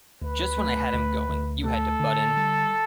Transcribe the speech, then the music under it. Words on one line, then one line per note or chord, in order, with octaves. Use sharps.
Just when I had him going, you had to butt in!
D2 B4
A3
D2
D2
A3 A4
D3
G3